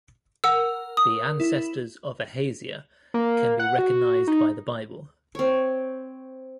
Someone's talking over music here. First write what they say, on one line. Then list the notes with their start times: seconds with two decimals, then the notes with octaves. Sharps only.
The ancestors of Ahaziah can be recognized by the Bible.
0.44 A#4 F#5 E6
0.97 D#6
1.40 E4
3.14 A#3
3.59 F#5
3.79 F#4
4.28 D#4
5.35 C4 C#5